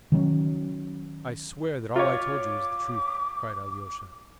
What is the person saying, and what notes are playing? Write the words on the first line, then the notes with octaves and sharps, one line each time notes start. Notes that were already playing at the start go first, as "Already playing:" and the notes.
"I swear that all I told you is the truth," cried Alyosha.
D#3 F#3 B3 C#4
F4 C#5 D6